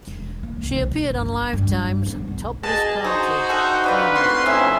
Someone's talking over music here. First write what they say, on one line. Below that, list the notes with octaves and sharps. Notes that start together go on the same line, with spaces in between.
She appeared on Lifetime's "Top This Party", E!
E1
A#3
C2
B1
G1
G2
B3
B1
B2 G#4 D#5 A5
D#4 F#4 G#4 C5
C3 G#4 A4 F#5
D3 E3 F4 B4
A2 A#3 C4 F#4 C6
F2 B2 B3 C#4 D#4 E4 E5